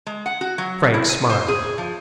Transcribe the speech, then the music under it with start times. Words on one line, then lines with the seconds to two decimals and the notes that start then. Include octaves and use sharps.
Frank smiled.
0.06 G#3
0.26 F#5
0.41 F#4
0.58 F#3
0.94 E4
1.09 G#5
1.30 C5
1.48 G#4
1.78 F3